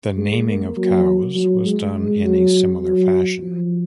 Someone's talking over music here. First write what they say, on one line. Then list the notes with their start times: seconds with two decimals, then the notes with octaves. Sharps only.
The naming of Cowes was done in a similar fashion.
0.17 G#3
0.47 A#3
0.77 F#3
1.35 F#3
1.65 G#3
2.24 F#3
2.82 F#3
3.41 F3